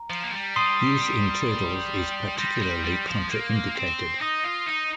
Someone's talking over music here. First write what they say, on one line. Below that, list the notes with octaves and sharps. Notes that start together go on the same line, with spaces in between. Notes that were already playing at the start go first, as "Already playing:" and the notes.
Use in turtles is particularly contraindicated.
Already playing: A#5
F3
A#3
G3
C6 D#6 C7 D#7 G7
G3 C6 G6 A#6
G3
G3
F3
A#3
C4
D#4 D#6 A#6 D#7
F4
D#4